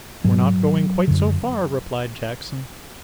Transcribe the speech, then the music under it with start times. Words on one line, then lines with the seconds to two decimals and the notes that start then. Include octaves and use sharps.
'We're not going quite so far,' replied Jackson.
0.24 G#2 F#3
1.08 F#2 D3